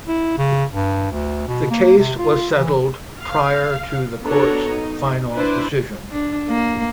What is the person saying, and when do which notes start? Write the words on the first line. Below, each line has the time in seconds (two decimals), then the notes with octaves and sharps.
The case was settled prior to the court's final decision.
0.08 E4
0.38 C#3
0.71 G2
1.12 D2
1.48 B2
1.71 A#3
1.98 C3
2.19 F4
2.57 E3
3.20 F5
4.24 B3 D4 F#4 A4 C#5 A#5
4.70 D#4
5.34 D4 E4 B4 C5
6.11 D4
6.48 A#3